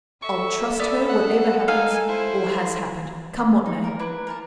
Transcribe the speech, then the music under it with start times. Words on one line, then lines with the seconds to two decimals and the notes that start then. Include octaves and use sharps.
I'll trust her whatever happens or has happened, come what may.
0.23 A4 E5 C#6
0.80 B3 D5
1.10 F#5
1.68 D#4 F5 G#5
2.08 E4 C5
3.66 D#4
3.84 A#4
3.99 D4 E4 B4
4.27 A#4 A5